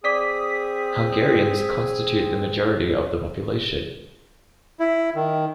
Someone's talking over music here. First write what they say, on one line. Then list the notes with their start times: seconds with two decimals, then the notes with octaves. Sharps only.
Hungarians constitute the majority of the population.
0.04 C4 G#4 D5 D6 D#6 B6
4.80 E4
5.15 D#3